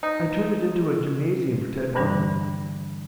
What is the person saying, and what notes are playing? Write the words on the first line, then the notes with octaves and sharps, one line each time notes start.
I turned it into a gymnasium for Ted Barton.
D#4
G2 D3 E3 G3 D4